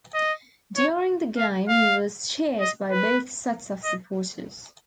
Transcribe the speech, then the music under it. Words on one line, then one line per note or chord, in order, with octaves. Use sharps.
During the game he was cheered by both sets of supporters.
D#5
C#5
F5
F5
D#5
B4
D#5